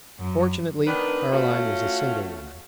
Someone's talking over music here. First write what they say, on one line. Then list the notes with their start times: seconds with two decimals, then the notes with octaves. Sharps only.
Fortunately, Caroline was a single woman.
0.19 F#2
0.87 D#3 B3 D4 A#4 B4
1.33 A3 C#4 F4 F#4